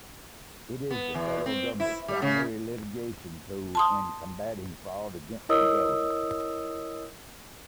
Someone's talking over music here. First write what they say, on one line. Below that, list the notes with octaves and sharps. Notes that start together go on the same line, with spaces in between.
It is the federal Government's primary litigation tool in combating fraud against the Government.
B3
E2
C4
E4
G3
C#3
A5 C6 D#6
E4 A#4 C#5 D#5 D#6 E6